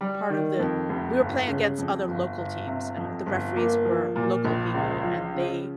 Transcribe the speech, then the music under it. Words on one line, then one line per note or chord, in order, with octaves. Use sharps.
part of the We were playing against other local teams, and the referees were local people, and they
G3
D#3
F2
F1
G1
C#3
F2
G1
G1
C3
F2
G1
A#3
F3
A#2
A#1
C#2
F3
C#3